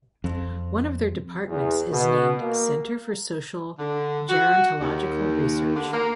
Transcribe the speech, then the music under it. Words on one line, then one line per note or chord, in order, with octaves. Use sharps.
One of their departments is named "Center for Social Gerontological Research".
F2
E2
B2
A#3
D3
F#4
D#2
D3
A#3